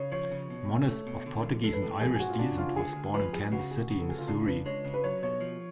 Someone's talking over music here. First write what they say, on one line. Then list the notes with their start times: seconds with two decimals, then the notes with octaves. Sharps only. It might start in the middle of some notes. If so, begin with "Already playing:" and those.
Moniz, of Portuguese and Irish descent, was born in Kansas City, Missouri.
Already playing: C#3 C#5
0.12 F3 C#5
0.31 C#3
0.50 B2
0.69 C#2
0.88 A3
1.07 B2
1.26 D3
1.44 F2
1.64 G#3 A4
1.73 B4
1.82 A2 A4
2.01 F3 G#4
2.16 G#4
2.20 G#2 F#4
2.30 F4
2.39 C#3 D4
2.58 C#2 F4
2.76 D3 G#4
2.96 D2
3.14 F3 B4
3.33 F#2 G#4
3.52 C#3 F#4
3.71 D2 G#4
3.90 C#3
3.99 A4
4.09 D2 G#4
4.18 F4
4.28 C#3 D4
4.46 C#2 B4
4.66 G#3 C#5
4.84 C#3
4.94 B4
5.04 F#3 C#5
5.23 B2 C#5
5.41 F3